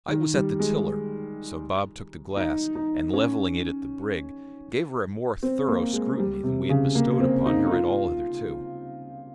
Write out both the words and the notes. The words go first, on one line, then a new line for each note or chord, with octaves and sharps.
I was at the tiller; so Bob took the glass, and levelling it at the brig, gave her a more thorough scrutiny than we had bestowed upon her at all hitherto.
D#3
G3
G#3
D#4
D#4
C#4
C4
A#3
G#3
G3
C3
C#3
A#3
C4
D#4
D#4
F4